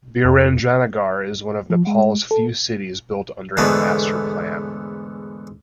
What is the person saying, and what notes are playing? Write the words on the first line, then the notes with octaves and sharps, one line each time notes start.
Birendranagar is one of Nepal's few cities built under a master plan.
F2
F3
G#3
A4
E2 G#2 D3 A3 B3